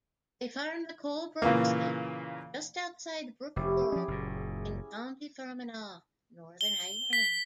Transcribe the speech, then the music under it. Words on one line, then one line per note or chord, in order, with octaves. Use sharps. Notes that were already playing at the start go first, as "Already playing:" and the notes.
They farm the Colebrooke Estate, just outside Brookeborough in County Fermanagh, Northern Ireland.
A#2 C#3 E3 A#3
F1 C#4 E4 G4
F3 C#4 G#4 G5
F#1 A#2
G#5
G7
B6